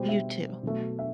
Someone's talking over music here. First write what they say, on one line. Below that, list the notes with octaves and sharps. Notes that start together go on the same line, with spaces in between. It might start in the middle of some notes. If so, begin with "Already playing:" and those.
You too.
Already playing: B2 G3 C5
E5
B2 F#3 A3
E5